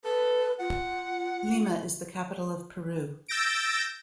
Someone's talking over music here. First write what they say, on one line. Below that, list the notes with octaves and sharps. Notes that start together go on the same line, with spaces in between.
Lima is the capital of Peru.
A4 B4
F4 F#5
E6 G6 A6 A#6 D7